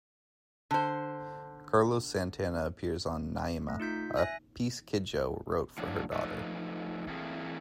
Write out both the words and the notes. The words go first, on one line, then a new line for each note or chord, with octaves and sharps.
Carlos Santana appears on "Naima", a piece Kidjo wrote for her daughter.
D3 C5
A3
D#4 F4 G6 B6
E5 G#5 F#6 A#6
A2 F3 F#3 D4
F3 A3 D#4 A4 B4
E3 A3 A#3 C4 G#4